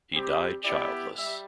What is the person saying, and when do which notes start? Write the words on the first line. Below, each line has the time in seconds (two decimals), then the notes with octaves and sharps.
He died childless.
0.12 G3 C4 G4
0.64 B3 E4 G4 D5
1.17 G3 E5